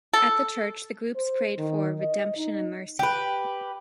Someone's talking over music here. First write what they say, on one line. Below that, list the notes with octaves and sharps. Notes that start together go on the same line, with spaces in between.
At the church the groups prayed for "redemption and mercy".
A4
C5
D#3
D#5
D#4
G4 B4